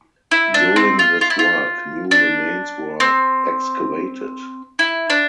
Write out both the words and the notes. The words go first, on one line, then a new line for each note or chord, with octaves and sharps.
During this work new remains were excavated.
E4
D4
C4
F4
F4
E4
F4
D4
C4
E4
D4